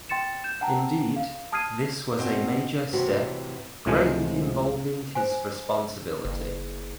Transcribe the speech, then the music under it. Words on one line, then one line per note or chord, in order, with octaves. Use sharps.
Indeed, this was a major step, greatly involving his responsibility.
G5 C6 A6 C#7 E7
G6 E7
F#5 G5 A5 A#5
F5
A5 D#6 F6 G#6 C7 D#7
B2 C4 D#4
A2 C3 E3 F#4
C#2 A2 C3 F3 G#3 G#5
C5 G#5
F#1